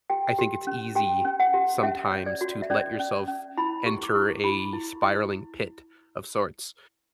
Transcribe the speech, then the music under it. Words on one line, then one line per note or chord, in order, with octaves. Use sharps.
I think it's easy sometimes to let yourself enter a spiraling pit of sorts
G4 G5
G4
C#4
G4 G5
C#4
F#5
G4
C#4 E5
C#5
D5
F#4
E5
C#4 D5
C#4
C#4
E4 B5
G4 C#6
D6
E4 C#6
E4 B5
E4
E4